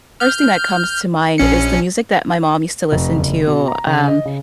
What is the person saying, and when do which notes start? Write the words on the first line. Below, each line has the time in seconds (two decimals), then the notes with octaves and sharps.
first thing that comes to mind is the music that my mom used to listen to, um,
0.20 F6 G6
1.38 A#1 C#4 C#7
2.92 F1
3.19 F#1
3.47 B2
3.68 A#5
3.87 C#3
4.08 D#5
4.25 C#3